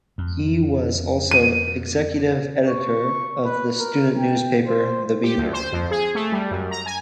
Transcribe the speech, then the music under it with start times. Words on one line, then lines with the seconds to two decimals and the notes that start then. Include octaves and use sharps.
He was also executive editor of the student newspaper, The Beaver.
0.18 F2
1.31 D#7
2.68 C#6
3.45 B4
3.79 A#4
4.18 G5
4.66 C5
5.23 G4
5.38 D2
5.53 C5
5.72 F2
5.91 G#4
6.15 A3
6.32 G3
6.51 F#2
6.71 A#5
6.86 G#5